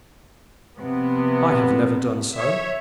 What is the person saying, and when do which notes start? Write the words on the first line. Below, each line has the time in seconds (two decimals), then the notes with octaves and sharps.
"I have never done so."
0.78 C3 F3 B3
2.34 C#5 E5